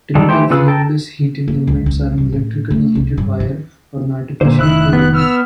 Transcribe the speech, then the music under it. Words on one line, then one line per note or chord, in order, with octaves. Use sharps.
Typical flameless heating elements are an electrically heated wire or an artificial coal.
D#3 G3 G#3 A4
E3 A3 G4 C5
C#3 F4 G#4 B4 E6
A4 A#4 G5 A5
A#3
C#2
C#2
C2
A2
A3
C2
G1
D#3
A#2 D3 C5
F1 D#3 E4 E6 F#6
B3
B3 E6 F6